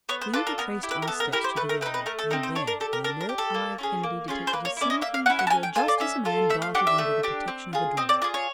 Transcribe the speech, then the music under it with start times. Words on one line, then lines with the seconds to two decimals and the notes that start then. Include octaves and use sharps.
We retraced our steps to the yard, and there the alert eye of Kennedy detected a slinking figure just as a man darted into the protection of a doorway.
0.09 B3 C#5
0.21 C5
0.34 D4 F4 A4 B4
0.47 A#4
0.58 B3 A#4
0.83 E4 G4
0.91 B4
1.02 A#4
1.07 B3 A4
1.20 A#4
1.32 E4 G4 A#4
1.44 C5
1.56 A3 B4
1.69 A#4
1.81 C4 B4
1.86 D#4
1.94 B4
2.06 A3 A#4
2.19 A4
2.31 C4 D#4 A#4
2.43 C5
2.55 D4 C#5
2.67 A#4
2.80 G4 A4
2.93 A#4
3.04 D4 A#4
3.21 A#4
3.29 G4
3.38 A4
3.55 A#3
3.78 C#4 F4
3.83 G#4
4.03 A#3
4.28 C#4 F4 G#4
4.47 C5
4.53 A#3 B4
4.65 C#5
4.77 C#4 E4 D5
4.90 D#5
5.01 A#3 E5
5.14 F5
5.26 C#4 E4 F#5
5.39 F#5
5.47 A5
5.50 C#4 G#5
5.63 G5
5.75 F4 A4 G#5
5.88 D5
6.00 C#4 E5
6.25 F4 A4
6.50 A3 E5
6.62 F5
6.75 D4 G4 F#5
6.87 E5
6.98 A3
7.23 D4 G4
7.48 C4
7.73 F4 G#4
7.97 C4 D#5
8.09 D5
8.22 F4 G#4 D5
8.34 C#5